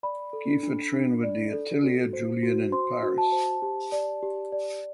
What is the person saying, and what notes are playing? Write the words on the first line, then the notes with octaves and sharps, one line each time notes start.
Kiefer trained with the Atelier Julian in Paris.
D5 B5
A4
D4
D4
D5
A4
F#4
C5
F#4
C5 C6
F#4
A5
C5
G4
D5
G4
D5